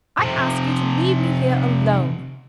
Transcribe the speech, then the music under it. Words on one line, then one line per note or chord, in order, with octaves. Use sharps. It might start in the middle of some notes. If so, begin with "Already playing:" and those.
I ask you to leave me here alone.
C3 F3